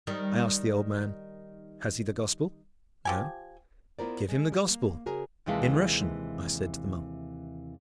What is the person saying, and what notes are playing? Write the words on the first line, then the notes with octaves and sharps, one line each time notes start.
I asked the old man, "Has he the Gospel?" "No." "Give him the Gospel in Russian," I said to the monk.
D#3 G3
F3 G4 G#5
B3 E4 F4 A#4 C5 D5
G#3
G3
A#3
C#3 F#4 G#4 A#4
D#2 C3 E3 G#3 F5 A5